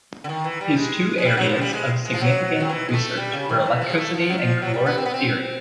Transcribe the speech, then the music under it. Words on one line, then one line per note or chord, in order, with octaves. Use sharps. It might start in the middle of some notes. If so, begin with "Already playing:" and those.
His two areas of significant research were electricity and caloric theory.
D3
D#3
E3
G3
G#3
G#3
G3
F#3
F3
G3
G#3
G#3
F3
F#3
D#3
E3
G#3
A3
G3
C#3
D#3
E3
F3
G#3
A3
F3
F#3
F3
F#3
G3
B3
C4
B3
C4